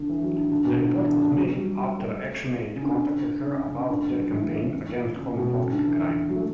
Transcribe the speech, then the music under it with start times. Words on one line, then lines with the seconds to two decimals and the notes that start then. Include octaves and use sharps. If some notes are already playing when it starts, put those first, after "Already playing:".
The report was made after ActionAid contacted her about their campaign against homophobic crime.
Already playing: D3
0.09 E3
0.23 F#3
0.37 D3
0.51 D3
0.65 B2
0.80 D3
0.93 E3
1.07 D4
1.21 D4
1.36 F#3
1.57 G3
1.78 G3
1.99 A3
2.76 C#3
2.83 D3
3.47 C#3
3.69 C#3
3.89 D3
4.10 F#3
4.21 F#3
4.31 E3
5.16 C#3
5.37 B2
5.53 B2
5.58 C#3
5.72 D3
5.87 E3
6.01 D3
6.29 F#3
6.36 A3